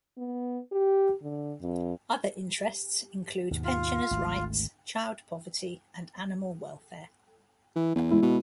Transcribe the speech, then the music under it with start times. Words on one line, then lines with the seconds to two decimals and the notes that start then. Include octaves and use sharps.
Other interests include pensioners rights, child poverty and animal welfare.
0.18 B3
0.72 G4
1.22 D3
1.61 F2
3.51 D#2 G#2 B2
3.65 F4
4.11 G#1 D2 A3
7.76 E3
7.96 E2
8.11 G#3 E4
8.22 B2